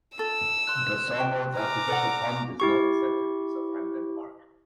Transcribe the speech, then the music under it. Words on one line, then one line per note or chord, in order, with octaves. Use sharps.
The sawmill's artificial pond is now the centerpiece of Hamlin Park.
F4 A4 E6
C6 F#6
F4 G4 G5 C#6
G#5 A#5 D6 F6
A4 D5 F#5 F7
E4 G4 C#6